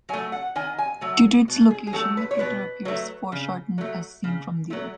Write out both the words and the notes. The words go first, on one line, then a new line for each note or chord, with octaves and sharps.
Due to its location, the crater appears foreshortened as seen from the Earth.
F#3 A3 G#5
F#5
D#3 G#5
G#5
F#3 A3
B2
G#4
G#4
F#3 A3 A4
B4
C#5
B2 B4
F#3 A3
C#3
F#3 A3
C#3
F#3 A3